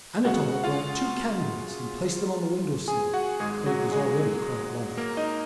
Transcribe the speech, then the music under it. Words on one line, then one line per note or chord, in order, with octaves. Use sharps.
Anatole brought two candles and placed them on the window sill, though it was already quite light.
F#2 C#3 G#3 F#4 F#5
F4 F5
G#4 G#5
F#4 F#5
G#1 G#2 F#3 G#3 G#4
F#3 F#4
G#3 G#4
A#3 A#4
D#4 D#5